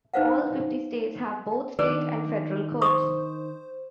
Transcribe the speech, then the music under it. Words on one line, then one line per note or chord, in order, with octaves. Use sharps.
All fifty states have both state and federal courts.
D#4 B4 C5 F5 F#5
D#3 D4 B4 D5
C5 C#6 D#6